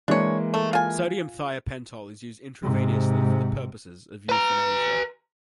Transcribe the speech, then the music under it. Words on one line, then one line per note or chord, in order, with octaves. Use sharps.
Sodium thiopental is used intravenously for the purposes of euthanasia.
E3 G#3 A#3 D4 C#5
A3
F4 G#5
G#2 C3
B4 A#5